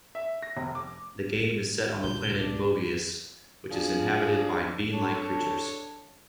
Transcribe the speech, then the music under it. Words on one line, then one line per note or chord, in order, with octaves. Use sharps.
The game is set on the planet Mobius, which is inhabited by bean-like creatures.
E5
A#6
F1
D6
C#2 A#2 G6
D4
F3 D4 G#4
D4 A4 C#5